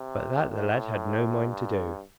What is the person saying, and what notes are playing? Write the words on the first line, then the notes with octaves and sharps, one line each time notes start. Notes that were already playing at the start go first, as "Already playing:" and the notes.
But that the lad had no mind to do.
Already playing: C3
A2
G2